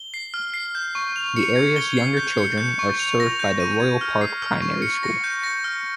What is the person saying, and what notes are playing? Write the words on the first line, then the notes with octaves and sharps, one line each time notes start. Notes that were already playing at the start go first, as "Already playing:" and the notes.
The area's younger children are served by the "Royal Park Primary School".
Already playing: G7
C7
F6
C7
G6
C#6
F7
C#7
G#6
G7
C7
G6
C#7
G6
C#6
F7
A#6
G6
D#7
G#6
F6
C7
F6
C#6
C#7
A#6
G6
A#6
F6